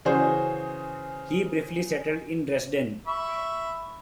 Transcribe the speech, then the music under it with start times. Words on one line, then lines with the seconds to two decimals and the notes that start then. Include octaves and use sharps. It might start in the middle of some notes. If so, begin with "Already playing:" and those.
He briefly settled in Dresden.
0.05 C#3 E3 F#4 G#4 C5
3.07 E5 B5 C#6